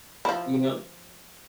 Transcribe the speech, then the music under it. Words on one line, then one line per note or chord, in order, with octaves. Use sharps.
you know?
F3 E4